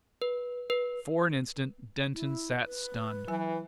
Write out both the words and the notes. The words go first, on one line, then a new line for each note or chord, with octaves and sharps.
For an instant Denton sat stunned.
B4
B4
E4
B4
E3 F#3 G#5